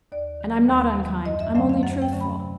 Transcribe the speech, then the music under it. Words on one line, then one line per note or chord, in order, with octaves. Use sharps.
'And I'm not unkind, I'm only truthful.
D#2 D5
D#3 F#3
D#2
D#3 F#3
F#2 D#5
E5
D3 F#3 A3 C#4 F5
F5
F#2 F#5
G5
D3 F#3 A3 C#4
B5
C3